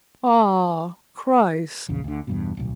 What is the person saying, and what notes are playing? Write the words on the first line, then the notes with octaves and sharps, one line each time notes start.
Ah, Christ!
A#1 E2 C#3
D2 D3
E2 G2 B2
D1 B1